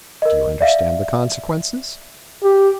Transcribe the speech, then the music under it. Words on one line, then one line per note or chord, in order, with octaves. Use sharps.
"Do you understand the consequences?"
A#4 D#5
D5 E5 F5
G4